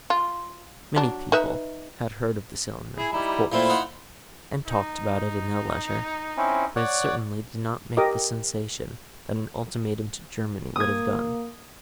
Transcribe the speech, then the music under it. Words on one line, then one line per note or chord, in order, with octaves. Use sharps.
Many people had heard of the cylinder, of course, and talked about it in their leisure, but it certainly did not make the sensation that an ultimatum to Germany would have done.
F4
F#3 D4
D#4 B4 E5
E4 G#4
G3 D#4 E4
A#2 A3 C4 E4 F4
D#4 F#5
D#4
C4 C#4 E4
C#5 D5 F#5
G4 A#4 D#5 D6
A#3 D#6 G#6